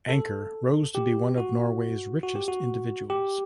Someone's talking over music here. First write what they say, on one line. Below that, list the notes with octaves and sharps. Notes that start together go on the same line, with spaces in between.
Anker rose to become one of Norway's richest individuals.
A4
G4
F#4
F#4
G4
F#4
G4